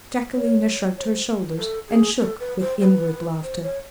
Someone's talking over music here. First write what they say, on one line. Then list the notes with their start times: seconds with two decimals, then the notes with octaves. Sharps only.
Jacquelina shrugged her shoulders, and shook with inward laughter.
0.35 C#5
0.98 C#5
1.02 C5
1.58 A4
1.89 G#4
2.20 A4
2.40 B4
2.61 C5
2.80 C5
2.85 B4
3.43 C5
3.63 C#5